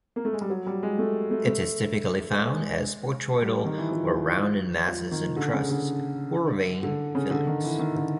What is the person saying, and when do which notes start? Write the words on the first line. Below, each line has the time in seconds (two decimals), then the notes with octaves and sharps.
It is typically found as botryoidal or rounded masses and crusts, or vein fillings.
0.16 A#3
0.25 A3
0.33 G#3
0.41 G3
0.50 F#3
0.67 G3
0.83 G#3
0.99 A3
1.31 A3
1.47 A3
2.45 G#3
3.42 G3
3.65 D#3
3.78 E3
3.91 F3
4.88 F3
5.12 D#3
5.36 D3
5.53 C#3
5.69 D3
6.83 D3
7.15 C#3
7.31 D3
7.47 D#3
7.64 E3
7.79 D#3
7.96 D3